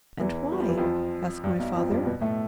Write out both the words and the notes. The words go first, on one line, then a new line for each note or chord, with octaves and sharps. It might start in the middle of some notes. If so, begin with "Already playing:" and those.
"And why?" asked my father.
E2 E3
G3
F3
E3
F2 F3
G2
B1 B2
F2 F3
G2 G3
B2 B3
A2 A3